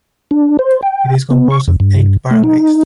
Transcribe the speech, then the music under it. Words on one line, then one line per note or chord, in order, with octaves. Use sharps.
It is composed of eight barangays.
D4
C5
G5
B3
C#6
F2
G2
A3
D#4